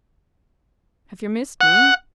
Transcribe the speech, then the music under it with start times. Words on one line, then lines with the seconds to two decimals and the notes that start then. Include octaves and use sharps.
'Have you missed me?'
1.61 F#5